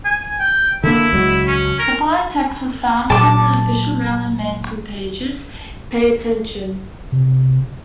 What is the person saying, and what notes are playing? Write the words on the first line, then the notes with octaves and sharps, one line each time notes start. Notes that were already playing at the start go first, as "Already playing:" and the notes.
The following text was found from the official Marilyn Manson pages: Pay attention!
G#5
G5
D3 A#3 E4
C#2 F#3 G#3
C#4
A#4
A#2 F#3 A5 D6
C3